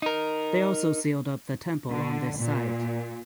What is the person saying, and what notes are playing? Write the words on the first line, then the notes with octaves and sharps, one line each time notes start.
They also sealed up the temple on this site.
D#4 A#4
D3
A#2